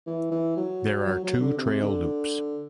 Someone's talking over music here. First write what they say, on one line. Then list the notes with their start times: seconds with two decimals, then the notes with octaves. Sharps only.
There are two trail loops.
0.06 E3
0.31 E3
0.57 F#3
1.07 F#3
1.24 F#3
1.41 D3
1.57 C3
1.82 D3